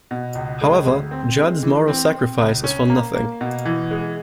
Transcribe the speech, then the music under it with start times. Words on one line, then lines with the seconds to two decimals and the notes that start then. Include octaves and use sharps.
However, Judd's moral sacrifice is for nothing.
0.11 B2
0.35 C#2
0.61 G#3
0.86 D2
1.11 C4
1.38 G#3
1.63 E3
1.88 C4
2.14 C4
2.38 C#2
2.64 C#4
2.90 A#3
3.15 A#3
3.41 B2
3.65 E3
3.91 G#3